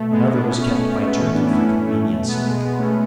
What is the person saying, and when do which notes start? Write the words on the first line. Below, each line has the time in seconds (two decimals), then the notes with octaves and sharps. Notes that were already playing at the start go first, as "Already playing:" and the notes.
Another was kept by Turkey for convenience sake.
Already playing: B2 A3
0.11 G#3 B3
0.33 B2 B3 D4
0.48 A3 C#4
0.62 A3 C#4
0.76 B2 A3 C#4
0.91 A3
1.05 G#3 B3
1.20 A2 E3 A3 C#4
1.34 B3 D4
1.49 C#4 E4
1.58 D4
1.63 A2 E3 A3 C#4
1.85 A3
2.07 B2 A3
2.28 G#3 B3
2.49 B2 G#3
2.64 G#3 B3
2.78 A3 C#4